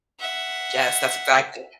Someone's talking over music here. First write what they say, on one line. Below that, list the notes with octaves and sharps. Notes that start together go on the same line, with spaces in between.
Yes, that's exactly
E5 F#5